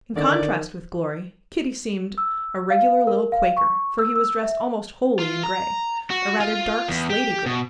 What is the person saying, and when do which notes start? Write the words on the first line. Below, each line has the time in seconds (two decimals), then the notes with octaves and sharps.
In contrast with Glory, Kitty seemed a regular little Quaker, for he was dressed almost wholly in gray, a rather dark, slaty-gray.
0.16 D3 D#3 D5
2.18 E6
2.70 F5
3.07 A#4
3.32 F5
3.57 C#6
3.98 E6
4.16 E6
4.43 E5
5.19 F4
5.43 A#5
6.10 F#4
6.40 F4
6.88 E2
7.10 G4
7.46 B2